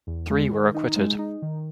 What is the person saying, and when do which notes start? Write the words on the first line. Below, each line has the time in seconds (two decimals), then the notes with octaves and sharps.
Three were acquitted.
0.07 E2
0.30 G#3
0.52 D#3
0.74 D#4
0.96 G#3
1.19 D#4
1.42 D#3